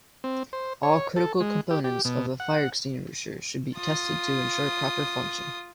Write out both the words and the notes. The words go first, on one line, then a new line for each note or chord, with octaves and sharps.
All critical components of the fire extinguisher should be tested to ensure proper function.
C4
C5
C#5
A4
G#3
G4
G4
B2
F#5
F4 D#6